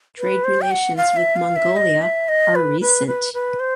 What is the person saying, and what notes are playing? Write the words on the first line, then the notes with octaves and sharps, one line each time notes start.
Trade relations with Mongolia are recent.
B4
C5
G5
F#5
F5
E5
F5
E5
D#5
E5
D#5
B4
B4
B4
B4
C5